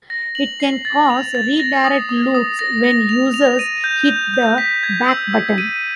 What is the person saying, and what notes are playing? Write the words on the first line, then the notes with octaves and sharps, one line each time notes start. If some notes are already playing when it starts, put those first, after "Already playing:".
It can cause redirect loops when users hit the back button.
A#6
F#7
C7
A6
F7
A6
A#6
D#6
D#6
D#6
A#6
A#6
F7
F7
D#7
G6
G6
G6
B6
G#6
E6
E6
D#7